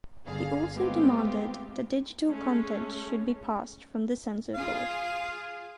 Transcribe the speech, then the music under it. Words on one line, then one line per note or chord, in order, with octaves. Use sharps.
He also demanded that digital content should be passed from the censor board.
G1 D3 G#4 F5
G#3 A3 B3 C4 F4 G4
G#3 A3 C#4
F4 G#4 F5